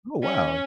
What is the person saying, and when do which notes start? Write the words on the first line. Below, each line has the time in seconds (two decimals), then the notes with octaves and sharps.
Oh, wow.
0.23 C#4